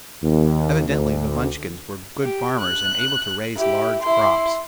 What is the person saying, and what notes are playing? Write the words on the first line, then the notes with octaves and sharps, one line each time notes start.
Evidently the Munchkins were good farmers and able to raise large crops.
D#2
D2
G4
F#6
E4 G4
E4 C6